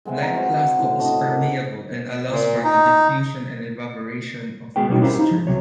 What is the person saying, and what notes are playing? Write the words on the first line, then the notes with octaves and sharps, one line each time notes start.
Lime plaster is permeable and allows for the diffusion and evaporation of moisture.
G#3 B3 C4 E5
F5 A#5
F#4 C5
A2 D3
D4 F#4 D5 D#5
A#4
A#2
D#4
G#3 B3 F#4 G#4 B4 G5
B2 G3 A#3 C#4 D#4 F#4
C#4 E4 G4 A#4 C5 F5
D#4
F3
C2 C3 F#3 C#5